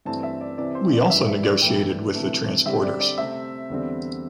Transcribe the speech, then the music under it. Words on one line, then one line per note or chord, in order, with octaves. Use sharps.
We also negotiated with the transporters.
G2 E3 A3 C4 A5
E5
D5
C3 E3 C4 D5
C5
D5
G2 E3 G3 E5
E5
D5
A2 E3 A3 G5
C3 E3 A3
D3 G3 C4 G4 E5
D5
D5
C3 A3 C4 E5
E2 D3 G3 C4